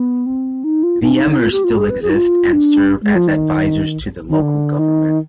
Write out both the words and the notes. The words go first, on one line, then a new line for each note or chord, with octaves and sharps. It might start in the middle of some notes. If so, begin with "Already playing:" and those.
The emirs still exist, and serve as advisers to the local government.
Already playing: B3
C4
D#4
F4
D#4
D4
D#4
F4
G4
F4
G#4
B4
G#4
D#4
F4
D4
G#3
F3
D#3
D#3
D3
D#3